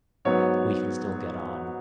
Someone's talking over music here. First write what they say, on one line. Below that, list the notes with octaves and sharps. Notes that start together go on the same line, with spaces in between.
we can still get on
G#2 F#3 B3 C#5